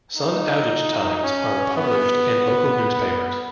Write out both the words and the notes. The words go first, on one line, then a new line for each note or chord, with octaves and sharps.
Sun outage times are published in local newspapers.
D#4
C#4
B3